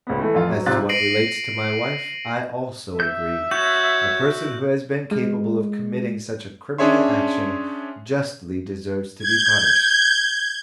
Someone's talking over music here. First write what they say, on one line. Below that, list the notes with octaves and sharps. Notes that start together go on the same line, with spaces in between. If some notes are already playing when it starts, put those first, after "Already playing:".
As to what relates to my wife, I also agree; a person who has been capable of committing such a criminal action, justly deserves to be punished.
C#2 B3
E3 A3
F2 F4
F#3
G#1 C3 F4 G4 F#6 A6
A#6 C7 D7 D#7 F#7
E5 G6
F#4 C#5 G6
G#3
C#4 D4 G#4 C#5 E5 C6
G6 G#6